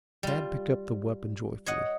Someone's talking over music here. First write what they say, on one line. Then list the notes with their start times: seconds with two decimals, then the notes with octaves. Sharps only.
Tad picked up the weapon joyfully.
0.23 G3 F4
1.66 C#5 D#5 F#5